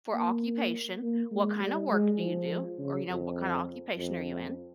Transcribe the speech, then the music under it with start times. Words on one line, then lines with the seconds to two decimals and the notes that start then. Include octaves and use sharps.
for occupation, "What kind of work do you do?" Or, you know, "What kind of occupation are you in?"
0.13 A#3
1.02 A#3
1.31 G#3
1.60 G3
1.91 G#3
2.20 F3
2.78 C#3
3.09 F2
3.98 F2